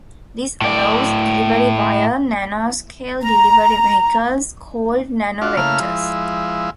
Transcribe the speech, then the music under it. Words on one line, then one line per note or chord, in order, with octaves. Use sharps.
This allows delivery via nano-scale delivery vehicles called nanovectors.
A2 D5
A#5
D4 F4 F#4
C#3 A3 A#3 E4 F5 F6
F3 G#3 E4